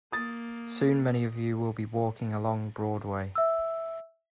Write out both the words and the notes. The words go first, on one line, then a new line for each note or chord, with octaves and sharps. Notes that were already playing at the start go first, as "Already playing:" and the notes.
Soon many of you will be walking along Broadway.
A#3 D#6 A6
E5 E6